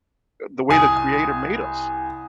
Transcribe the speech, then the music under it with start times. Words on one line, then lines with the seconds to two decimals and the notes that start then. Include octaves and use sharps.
the way the creator made us,
0.69 C2 G#5 D#6